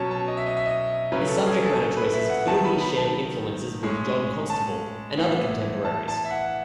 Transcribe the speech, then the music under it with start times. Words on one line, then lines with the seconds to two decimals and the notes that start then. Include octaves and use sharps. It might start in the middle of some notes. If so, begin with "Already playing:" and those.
His subject matter choices clearly shared influences with John Constable and other contemporaries.
Already playing: B2 F#3 C#4 A5
0.11 A5
0.28 D#5
0.37 E5
0.46 D#5
0.57 E5
0.66 D#5
1.12 C#3 F#3 C#4 B4
1.28 A4
1.46 G#4
1.63 A4
1.80 A4
1.97 B4
2.13 E5
2.30 F#5
2.47 D#3 F#3 B3 A5
2.64 B5
2.81 B5
2.97 A5
3.83 A2 G#3 C#4
4.50 A5
5.17 A2 E3 B3
5.85 A5
6.08 A5
6.25 E5
6.31 F#5